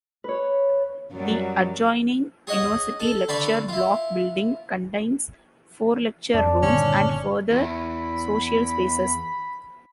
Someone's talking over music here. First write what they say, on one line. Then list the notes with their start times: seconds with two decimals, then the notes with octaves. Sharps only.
The adjoining University Lecture Block building contains four Lecture rooms and further social spaces.
0.24 B4 C#5
1.12 F#2 F#3 G3
2.47 G#4 C#5 D#5 F#5
3.00 A4
3.28 D3 B4 D5 F5 B5 C#6
3.68 E4 F4
6.34 F2 D4
6.63 G1 A#2 D#3 C#4
7.50 E2 B5